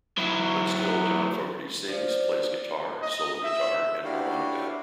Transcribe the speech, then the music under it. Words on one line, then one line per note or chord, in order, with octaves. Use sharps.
But still John Fogerty sings, plays guitar, solo-guitar and harmonica.
F#3 E4
F3 D5
D#5
E5
D4 E4 F#4 G4 F5